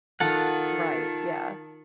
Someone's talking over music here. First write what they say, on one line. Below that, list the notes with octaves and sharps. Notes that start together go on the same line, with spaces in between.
Right, yeah.
D#3 F4 A4 F#5